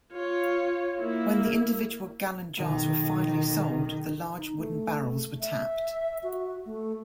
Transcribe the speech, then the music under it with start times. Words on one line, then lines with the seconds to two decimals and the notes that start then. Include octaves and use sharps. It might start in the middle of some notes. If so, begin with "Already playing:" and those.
When the individual gallon jars were finally sold, the large wooden barrels were tapped.
0.12 F4 C#5
1.00 A#3 E4
2.57 B1 D#3
4.36 D#4
4.57 A3
5.41 E5
6.23 F#4
6.65 A3